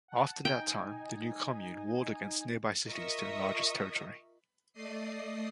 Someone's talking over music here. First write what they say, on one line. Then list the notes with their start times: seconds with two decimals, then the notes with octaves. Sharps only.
After that time, the new commune warred against nearby cities to enlarge its territory.
0.08 F#5 A5
0.45 D#4 G5 G#5
2.88 F4 A#4 D#5 E5 C#6 D#6
4.73 A3 D5 D#5 D#6 C7